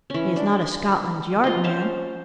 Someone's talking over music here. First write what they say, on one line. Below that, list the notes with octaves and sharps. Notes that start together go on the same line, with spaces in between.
He is not a Scotland Yard man.
E3 C#4
D4
F4 D#5
C#4 C5 F5 A5